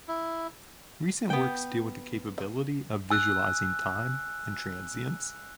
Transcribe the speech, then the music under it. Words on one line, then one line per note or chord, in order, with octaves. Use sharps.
Recent works deal with the capability of visualizing time and transience.
E4
B3 G5
G#5 E6 F#6